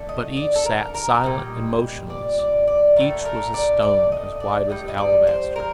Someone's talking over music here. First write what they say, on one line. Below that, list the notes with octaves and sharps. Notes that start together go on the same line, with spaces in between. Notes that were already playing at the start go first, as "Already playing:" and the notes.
But each sat silent and motionless--each was a stone as white as alabaster.
Already playing: D3 A3
D#5
D5
A4
A#4
A#4
A#2 G3 D#5
D5
D5
D5
A2 A3 A#4
A#4
D5
D5
D#5
D5
A2 G3 D#5
D#5
D5
C5
A#4